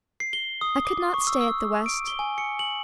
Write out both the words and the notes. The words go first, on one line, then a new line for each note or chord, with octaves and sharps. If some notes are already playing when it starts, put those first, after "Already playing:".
I could not stay at the West.
C7
G7
D#6
D6
C#6
E6
E6
D7
G7
G#5
C#7
F#7